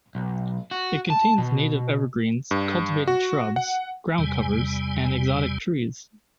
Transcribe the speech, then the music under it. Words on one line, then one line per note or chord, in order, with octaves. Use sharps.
It contains native evergreens, cultivated shrubs, groundcovers, and exotic trees.
B1
F#4
A5
B2
G2
F#4
F#5
E2 C3 G3 G#5